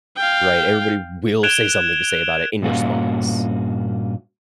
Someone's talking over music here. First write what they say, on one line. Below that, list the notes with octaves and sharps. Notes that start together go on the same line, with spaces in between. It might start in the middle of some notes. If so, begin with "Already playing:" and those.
right? Everybody will say something to say about it in response.
F5 G5
F#6 G#6 D7 E7 F7 G7
G2 A#2 A#3 C#4 F#4